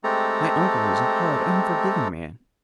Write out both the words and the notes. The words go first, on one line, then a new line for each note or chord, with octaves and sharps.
My uncle is a hard, unforgiving man.
G#3 A3 C4 G4 A4 A#5